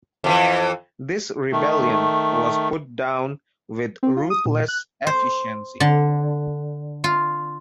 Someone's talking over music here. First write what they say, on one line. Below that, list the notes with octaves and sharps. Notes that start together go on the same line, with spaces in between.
This rebellion was put down with ruthless efficiency.
F2 C3 E3
D#3 A3
C4
F4
D#6
A#2
F#6
C5
D3
F4